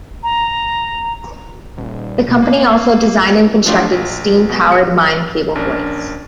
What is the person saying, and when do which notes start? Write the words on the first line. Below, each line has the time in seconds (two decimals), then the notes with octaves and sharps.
The company also designed and constructed steam powered mine cable hoists.
0.23 A#5
1.77 D#1
2.28 B2
2.42 A#3
3.66 F3 F#3 A3 D4 F4 G4
3.92 A#1
4.50 B2 G#3
4.72 C#7
5.55 A#1 C#4 D4 A#4